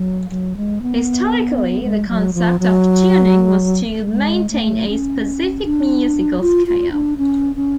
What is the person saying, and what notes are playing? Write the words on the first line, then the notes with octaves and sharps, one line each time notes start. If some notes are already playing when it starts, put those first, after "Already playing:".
Historically, the concept of tuning was to maintain a specific musical scale.
Already playing: F#3
F#3
G#3
B3
G#3
F#3
F3
F#3
G#3
A3
C#4
D4
F4
F4
D4
C#4
C#4